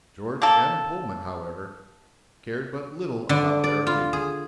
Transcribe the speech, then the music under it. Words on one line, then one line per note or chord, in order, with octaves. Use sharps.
George M. Pullman, however, cared but little about their opinion.
A#3 A4
D3
D5
F4
G#4